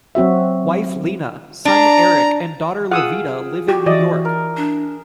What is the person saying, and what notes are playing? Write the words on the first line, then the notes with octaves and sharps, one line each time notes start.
Wife Lina, son Eric and daughter Levita live in New York.
F#3 C4 F#4 E5
D4 A#5
F4 G#4 F#5 G5 D#6 E6
F#4 G4
E3 D5 D#5
A#4
D4